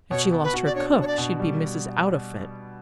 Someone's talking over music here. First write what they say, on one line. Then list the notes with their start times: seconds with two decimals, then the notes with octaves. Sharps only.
If she lost her cook she'd be Mrs. Outofit.
0.11 B2 C#5
0.33 B2
0.44 B4
0.54 F#4
0.66 D5
0.75 D4 C#5
0.97 D4
1.02 C#5
1.07 D5
1.18 B2
1.40 G3